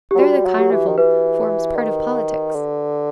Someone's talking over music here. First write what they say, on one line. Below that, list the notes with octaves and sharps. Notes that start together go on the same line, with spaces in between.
There the Carnival forms part of politics.
G4
F#3
G3 F#4
F#3
G4
E3
D#3
E3 B4
D#3
D3